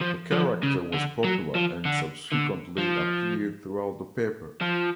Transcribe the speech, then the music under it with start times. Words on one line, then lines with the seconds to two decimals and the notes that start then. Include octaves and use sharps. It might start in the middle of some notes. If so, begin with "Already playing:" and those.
The character was popular, and subsequently appeared throughout the paper.
0.01 F3
0.32 F3
0.63 C#3
0.94 D3
1.24 F#3
1.55 F3
1.85 D3
2.32 D3
2.78 F3
4.61 F3